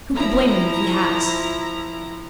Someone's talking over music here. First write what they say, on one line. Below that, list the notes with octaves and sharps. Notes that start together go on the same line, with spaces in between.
Who could blame him if he has?
F3 E4 A#5